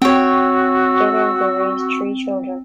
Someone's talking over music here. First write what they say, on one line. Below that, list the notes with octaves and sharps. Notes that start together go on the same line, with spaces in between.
Together, they raised three children.
C4 F#4 C#5 G5 C#6 E6